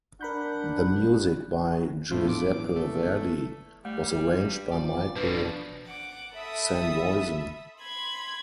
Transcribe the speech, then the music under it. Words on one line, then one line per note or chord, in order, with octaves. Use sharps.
The music, by Giuseppe Verdi, was arranged by Michael Sanvoisin.
D4 A#4 F#5 B5 G6
E1 A2 F3
D6
E2
A3
G3 A3
G2
F3 D5
B2 F3 D4 B4
F#5 D6
A4 E5 B5 D#6
B5 C6 G#6